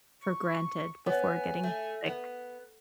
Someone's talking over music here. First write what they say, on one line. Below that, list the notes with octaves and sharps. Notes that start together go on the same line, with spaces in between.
for granted before getting sick.
C#6
B3 C#5 G#5
A3
B3